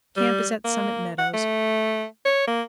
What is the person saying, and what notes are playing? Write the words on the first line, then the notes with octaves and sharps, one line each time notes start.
Camp is at Summit Meadows.
G3
A#3
F#5
A3
C#5
A#3